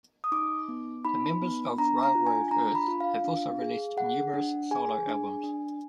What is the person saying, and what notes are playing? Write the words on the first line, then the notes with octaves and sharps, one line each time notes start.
The members of Railroad Earth have also released numerous solo albums.
D#6
D#4 D6
B3
D#4 B5
B3
D4 A#5
A#5
F4
G#5
D4 A#5
B5
F4
F5
D4
G#4
G#4 F#5
D4
G#4 G#5
D4
D4